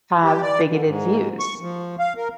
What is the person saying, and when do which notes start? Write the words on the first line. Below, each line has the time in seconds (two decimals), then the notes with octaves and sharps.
have bigoted views,
0.24 G4
0.42 D5
0.70 D3
0.86 G#2
1.39 C#6
1.61 F3
1.99 F5
2.17 A#4